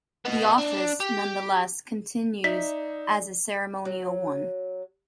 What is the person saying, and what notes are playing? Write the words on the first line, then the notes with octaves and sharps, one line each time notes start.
The office, nonetheless, continues as a ceremonial one.
B3 D#5
D4
G4
D#4 D5 E5 B6
F#3